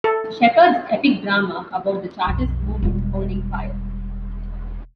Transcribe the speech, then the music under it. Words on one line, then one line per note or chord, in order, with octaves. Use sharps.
Shepherd's epic drama about the Chartist movement, Holding Fire!
A4
B1 F2
E1 G3